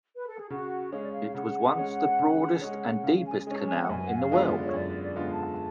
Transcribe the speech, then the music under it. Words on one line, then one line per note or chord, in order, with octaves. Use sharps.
It was once the broadest and deepest canal in the world.
B4
A4
G#4
C#3 F#4
G#3 C#4 F5
D5
F5
C#3 F#5
G#3 C#4
C#3
G#3 C#4
C#3 F5
G#5
G#3 C#4 G#5
A5
G#5
F#5
F#2 G#5
F#5
F5
D3 G#3 B3 F4
D5
C#5
F#2 D5
D5
D3 G#3 B3 F4
A5